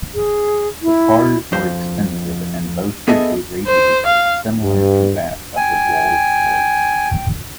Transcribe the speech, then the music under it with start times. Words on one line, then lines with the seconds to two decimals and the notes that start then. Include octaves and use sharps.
The cars were expensive and boasted a radiator similar to that of the Rolls-Royce.
0.14 G#4
0.82 E4
1.52 F2 C5
3.08 B3 G#4 A4 D#5 E5
3.67 C5
4.06 F5
4.62 G2
5.56 G5 G#5